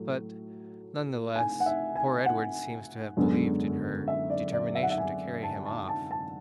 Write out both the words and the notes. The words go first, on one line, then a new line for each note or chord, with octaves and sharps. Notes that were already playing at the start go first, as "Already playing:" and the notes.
But, none the less, poor Edward seems to have believed in her determination to carry him off.
Already playing: A2 F#3 A3
G#5
F#5
E5
G#5
F#5
F#2 D3 G#3 B3
E5
D5
D5
E5
F#5
E5
G#5
A5
A5
A5
A5